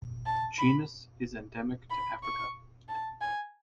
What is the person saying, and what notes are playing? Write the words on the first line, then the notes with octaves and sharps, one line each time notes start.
The genus is endemic to Africa.
A5
B5
B5
C#6
A5
G#5